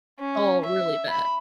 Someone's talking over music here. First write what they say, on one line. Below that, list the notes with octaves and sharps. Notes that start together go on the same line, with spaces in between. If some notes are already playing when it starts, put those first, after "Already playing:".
all really bad.
C#4
E5
B5